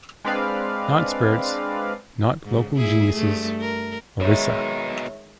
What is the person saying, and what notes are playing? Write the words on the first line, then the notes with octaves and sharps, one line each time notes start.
Not spirits, not local geniuses - Orisa.
G#3 C4 D4 B4 D5 F5
G#2 C#3
A#2 E4 G#4
G2 A3
A#4
B2 D#3 G#3 D#4 C#5 E5